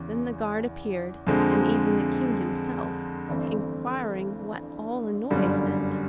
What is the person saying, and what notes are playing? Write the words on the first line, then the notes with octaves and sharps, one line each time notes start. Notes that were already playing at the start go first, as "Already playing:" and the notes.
Then the guard appeared, and even the King himself, inquiring what all the noise meant.
Already playing: E2 C#3 E3
F2 D3 F3 G#3 C4
G1 G2 E3 A3 C4
G1 F#2 D3 G3